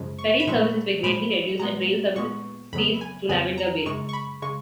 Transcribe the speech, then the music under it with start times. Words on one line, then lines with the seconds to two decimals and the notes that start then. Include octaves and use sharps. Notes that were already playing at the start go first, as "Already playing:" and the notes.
Ferry services were greatly reduced and rail services ceased to Lavender Bay.
Already playing: F#2 C#3 F3 G#3
0.19 C#6
0.40 B5
0.47 A#2 F3 G#3 C#6
1.03 A#2 F3 G#3 B5
1.59 A#2 G#3 B3 A#5
2.16 A#2 G#3 B3 C#6
2.73 F2 C#3 F#3 B3 B5
3.01 G#5
3.29 F2 C#3 F#3 B3 G#5
3.58 A#5
3.86 F#2 C#3 G#3 C#6
4.09 C#6
4.13 B5
4.42 C#3 G#3 C#6